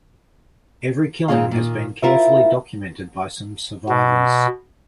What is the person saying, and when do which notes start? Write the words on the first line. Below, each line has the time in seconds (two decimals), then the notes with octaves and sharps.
Every killing has been carefully documented by some survivors.
1.28 D#2 A#2 C4 G#4 F5
1.51 A#2 D#3
2.02 E4 F4 A#4 C5 E5
3.89 B2